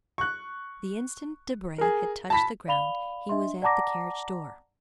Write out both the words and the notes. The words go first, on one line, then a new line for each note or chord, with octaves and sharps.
The instant Debray had touched the ground, he was at the carriage-door.
C#6 F#6
G#4 A#4
A5 B5 B6
D5 F5 B5 F7 G7
D4 D#5 E5 C6
D5 F#5 A5 A#5 D6 A#6